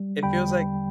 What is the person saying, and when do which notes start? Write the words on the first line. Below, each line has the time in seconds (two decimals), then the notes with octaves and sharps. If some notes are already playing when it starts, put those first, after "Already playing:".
It feels like
Already playing: G3
0.23 E2 D3 G3 G5 B5